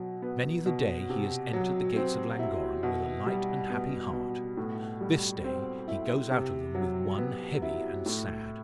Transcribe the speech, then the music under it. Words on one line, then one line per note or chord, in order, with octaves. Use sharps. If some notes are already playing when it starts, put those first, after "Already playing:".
Many the day he has entered the gates of Llangorren with a light and happy heart--this day he goes out of them with one heavy and sad.
Already playing: B2 F#3
B3
B2
C3
F#3
C4
E4
B2
G3
B3
B2
A2
G3
C4
E4
C3
F#3
B3
E4
A2